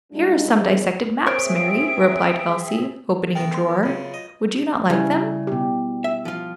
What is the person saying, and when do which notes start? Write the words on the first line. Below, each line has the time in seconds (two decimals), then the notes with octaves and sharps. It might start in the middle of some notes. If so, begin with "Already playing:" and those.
"Here are some dissected maps, Mary," replied Elsie, opening a drawer; "would you not like them?"
0.12 A#2 G3 G#3 D4 D#4 F4
0.57 E2 G#3 C5
1.26 C4 G#4 A#4 C5 C#5 E5 D7
3.35 A3 B3 A#4 G5
3.54 C6
3.69 B4
3.83 F#2 C#3 F4
4.14 D#5
4.90 C#3 G3 E4
5.47 B2 G4
6.04 E5
6.25 F3 F4